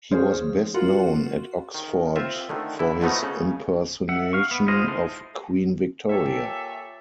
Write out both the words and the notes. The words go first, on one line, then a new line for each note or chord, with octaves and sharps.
He was best known at Oxford for his impersonation of Queen Victoria.
F3 G#4 C5 C#5
F4 F#4 A#4
D#3
C4 F4 E5
D3 D#3 A3
D3 E4
B2 F3 F#3 A3 B3 D#4
C#3
E5 F#5
F5 C#6
B3
G#3 F4 C5 D#5 F5
D#4 E4 G4 A4 C5
A#2 G4 A4 C#5 E5